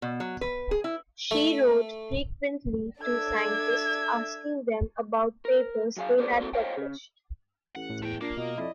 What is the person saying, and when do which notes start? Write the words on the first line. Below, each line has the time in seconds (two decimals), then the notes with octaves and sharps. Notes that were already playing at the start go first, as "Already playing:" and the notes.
She wrote frequently to scientists, asking them about papers they had published.
0.02 B2
0.20 F#3
0.41 B4
0.71 G#4
0.84 E4
1.31 A3
3.03 D4 A4 D5 E5 E6 G#6
5.45 A#4
5.97 F#3 G#4 F5
6.18 B3 G4 A4 A#4 C5 D5
6.40 A#3 C4 F#4 A4 A#4
6.53 C5 C#5 D#5 F5 G5
6.77 C#3
7.76 A1 F#5
7.90 A2
8.03 E2 A3 G5
8.21 A#2 A#3 D4 D6 C7
8.37 B2 D#5
8.58 F2 E4 D5